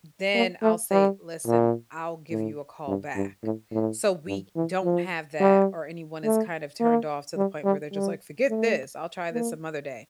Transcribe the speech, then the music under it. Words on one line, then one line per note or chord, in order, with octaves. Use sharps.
then I'll say, "Listen, I'll give you a call back." So we don't have that or anyone is kind of turned off to the point where they're just, like, "Forget this, I'll try this some other day,"
A#3
A3
G3
A#2
A2
G2
G2
A2
A2
G2
E3
F3
G3
A3
A#3
G3
G3
G3
A3
A#3